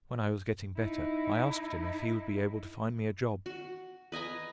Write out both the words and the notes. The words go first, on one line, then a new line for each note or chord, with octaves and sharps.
When I was getting better, I asked him if he would be able to find me a job.
D#4 E4
F#4
B4 D#5 G#5 A#5